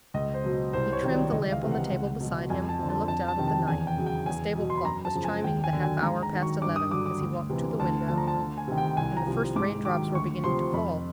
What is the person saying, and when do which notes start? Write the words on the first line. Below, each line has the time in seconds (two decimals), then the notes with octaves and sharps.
He trimmed the lamp on the table beside him and looked out at the night. The stable clock was chiming the half-hour past eleven as he walked to the window, and the first rain-drops were beginning to fall.
0.14 C#2 D#5
0.34 C5
0.44 B2 F#3
0.73 C2 C5
0.93 C#5
1.03 C3 D#3 F#3
1.13 D5
1.32 C#2 D#5
1.52 F5
1.61 C3 E3
1.72 F#5
1.91 C#2
2.20 B2 F#3
2.50 F2 G#5
2.69 A5
2.79 D3 F3
2.89 A5
3.08 F2 A5
3.28 A5
3.38 C3 D#3
3.48 A5
3.67 E2 G#5
3.87 G5
3.97 C#3 F#3
4.06 G5
4.26 E2 G#5
4.55 B2 F#3
4.70 C6
4.78 B5
4.85 F#2 A#5
5.05 A5
5.15 C#3 F3
5.24 G#5
5.44 D#2 G5
5.64 G#5
5.73 D3 F#3
5.83 G#5
6.02 G#2 A#5
6.23 A#5
6.33 D#3 F#3
6.42 C#6
6.62 G2 D6
6.76 D#6
6.91 D3 F#3 D6
7.06 D6
7.21 D2
7.49 C3 E3
7.80 D2 A5
8.08 D3 F3 A5
8.18 A#5
8.28 A5
8.38 D2
8.58 G#5
8.68 C3 D#3
8.78 G5
8.97 C2 G#5
9.17 A#5
9.27 C3 F3
9.56 G#2 D6
9.85 D#3 F#3 D6
10.15 D2 C#6
10.44 C3 F3 C6
10.74 F2 B5